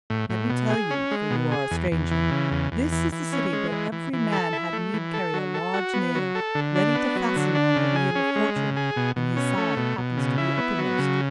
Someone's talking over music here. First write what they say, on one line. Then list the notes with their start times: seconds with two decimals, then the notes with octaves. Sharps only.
Let me tell you--for you are a stranger--this is a city where every man had need carry a large nail ready to fasten on the wheel of Fortune when his side happens to be uppermost.
0.10 A2
0.30 A2
0.50 B2
0.70 G#4
0.91 C#4
1.11 G#3
1.30 B2
1.51 G#4
1.71 E2
1.92 E2
2.11 E3
2.31 C#3
2.51 E2
2.72 E2
2.92 E3
3.12 E3
3.33 C#4
3.53 G#3
3.72 E3
3.92 E3
4.13 E3
4.32 A4
4.53 E4
4.73 A3
4.94 E3
5.14 A4
5.34 F#3
5.54 A4
5.74 F#4
5.94 B3
6.15 F#3
6.35 A4
6.55 D3
6.75 D4
6.95 B3
7.16 F#3
7.36 D3
7.55 D4
7.76 C#3
7.96 G#4
8.15 C#4
8.36 G#3
8.56 C#3
8.76 G#4
8.96 B2
9.16 B2
9.36 C#4
9.58 A3
9.77 B2
9.98 B2
10.18 C#3
10.38 E4
10.57 B3
10.78 F#3
10.98 C#3